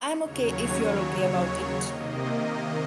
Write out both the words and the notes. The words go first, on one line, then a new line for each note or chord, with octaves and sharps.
I'm OK if you're OK about it.
D#2 C#3 F#3 C#5
C3 D#3 A#3 D#5